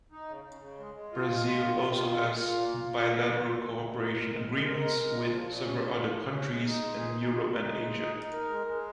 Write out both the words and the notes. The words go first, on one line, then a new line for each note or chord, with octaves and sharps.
Brazil also has bilateral cooperation agreements with several other countries in Europe and Asia.
D#4
C#3
C#3
C#3
G#3
G#3
F4
G#3
F4
D#3
D#3
F4
G#3
F4
A#2
A#3
F4
F4
A#3
A#2
A#2
A#2
G#3
A#4
G#3
G#3
G#3
A#4
G#3
G#3
A#2
F3
A#2
C#4
A#2
F3
A#2
C#4
G#3
D#4
G#3
G#4
D#4
D#4
D#4
G#3
G#3
D#4
D#4
A#4
G#3
G#3